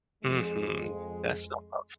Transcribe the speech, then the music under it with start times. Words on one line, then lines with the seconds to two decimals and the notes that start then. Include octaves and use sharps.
Mhm. That's so awes
0.24 F2 G#3